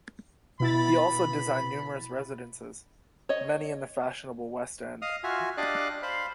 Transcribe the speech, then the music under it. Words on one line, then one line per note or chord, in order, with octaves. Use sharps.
He also designed numerous residences, many in the fashionable West End.
B2 B3 E4 B5 A6
C#5 D#5
D#5 F5 D#6 F6
F4 F#4 E5 G#5
D4 G4 D5 D#5 F5 F#6
C5 F5 B5